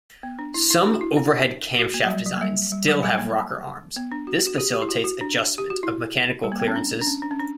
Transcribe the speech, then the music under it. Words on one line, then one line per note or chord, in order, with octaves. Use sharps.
Some overhead camshaft designs still have rocker arms; this facilitates adjustment of mechanical clearances.
B3
D4
E4
E4
D4
F#4
E4
D4
F#4
A#3
F#3
G3
F#3
A#3
G3
G3
F#3
G3
A#3
B3
D4
F#4
F#4
G4
G4
E4
F#4
F#4
D4
G4
F#4
E4
G3
A#3
B3
C#4
D4
D4
C#4
D4
C#4
D4